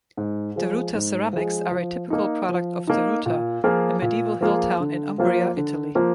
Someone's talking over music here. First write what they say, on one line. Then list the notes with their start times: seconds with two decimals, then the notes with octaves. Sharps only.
Deruta ceramics are a typical product of Deruta, a medieval hilltown in Umbria, Italy.
0.17 G#2
0.56 F3 G#3
0.95 G#2
1.33 F3 G#3
1.71 F3
2.10 A#3 D#4
2.49 F3
2.87 A#3 D#4
3.26 A#2
3.64 F3 A#3 F4 G#4
4.02 A#2
4.41 F3 A#3 F4 G#4
4.80 D3
5.18 F3 A#3 F4 C5
5.57 D3
5.95 F3 A#3 F4 C5